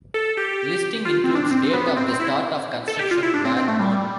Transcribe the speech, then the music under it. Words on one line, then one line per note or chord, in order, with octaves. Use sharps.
Listing includes date of the start of construction where known.
A4
G4
F4
C4
D4
D4
C4
B3
C4
C4
E4
A4
G4
F4
E4
D4
C4
C4
A3
G3